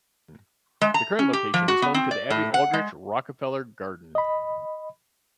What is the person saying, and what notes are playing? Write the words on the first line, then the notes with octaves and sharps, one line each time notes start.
The current location is home to the Abby Aldrich Rockefeller Garden.
G#3
A#5
C#4
G4
F3
F#4
B3
C4
D5
A2
F#5
G#3
D#5 B5